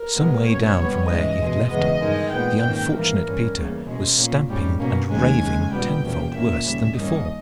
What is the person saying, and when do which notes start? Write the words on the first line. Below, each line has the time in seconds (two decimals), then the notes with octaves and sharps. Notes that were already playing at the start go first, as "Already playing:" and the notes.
Some way down from where he had left him the unfortunate Peter was stamping and raving tenfold worse than before.
Already playing: A#4
0.15 B2 G#3 B3
0.47 B2 A#3 C#4 C#5
0.77 G2 G3 B3
1.07 G#2 E3 G#3 C#4 D#5
1.39 E2 B2 G#3
1.69 E2 C#3 G#3 B3 D#5
2.01 G2 D#3 G#3
2.32 A#2 G#3 B3 G5
2.62 G#2 D#3 A#3 C#4
2.93 G#2 E3 G3 A#3 A#4
3.25 G2 G3 C#4
3.55 E2 C#3 G3 A#3 C#4
3.86 B2 G#3 C#4
4.17 A#2 A#3 C#4
4.48 G#2 G3 C#4
4.79 B2 A#3 C#4
5.10 D#2 D#3 G#3 C#4 G#5
5.40 C#3 G#3 C#4
5.72 A#2 G3 B3 G5
6.02 E2 B2 A#3 C#4
6.34 A#2 A#3 C#4 E5
6.64 D#2 C#3 G3 C#4
6.95 G2 D#3 G3 A#3 C#4 D#5